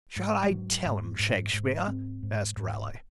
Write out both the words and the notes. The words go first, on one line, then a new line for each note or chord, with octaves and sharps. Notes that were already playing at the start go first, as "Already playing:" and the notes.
"Shall I tell 'em, Shakespeare?" asked Raleigh.
G#2
G#3
G#2 F#3
G#2
G#2
G#2
G#2 C4
G#2
G#2